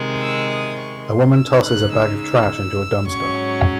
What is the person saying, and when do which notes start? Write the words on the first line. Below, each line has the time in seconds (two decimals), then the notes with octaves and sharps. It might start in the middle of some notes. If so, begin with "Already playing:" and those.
A woman tosses a bag of trash into a dumpster.
Already playing: C3 D#3 G#3
0.22 E6
0.51 D#6
0.79 C#6
1.08 C6
1.36 C#3 G#3 D#4 E6
1.65 F#6
1.93 E6
2.22 E6
3.07 G#2 F#3 C#4 C#6